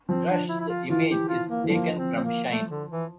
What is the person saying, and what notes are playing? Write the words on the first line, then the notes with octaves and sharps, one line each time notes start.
Rush's image is taken from "Shine".
F3 C4
D4
E4
E4
F4
E3 F4
G4
F4
A#3
E3
F3 A#3
C4
C4
A#3
A3
D3
E3